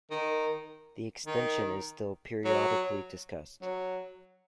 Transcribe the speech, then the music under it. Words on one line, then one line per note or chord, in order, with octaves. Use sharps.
The extension is still periodically discussed.
D#3
D#3
F#3
F#3